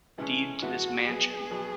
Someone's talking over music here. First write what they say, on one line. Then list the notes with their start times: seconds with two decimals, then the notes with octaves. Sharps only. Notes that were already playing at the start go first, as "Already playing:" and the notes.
deed to this mansion."
0.18 A2 E3 G#3 C#4
0.62 A2 E3 G#3 F#4
1.06 B2 F#3 B3 G#4
1.50 B2 F#3 B3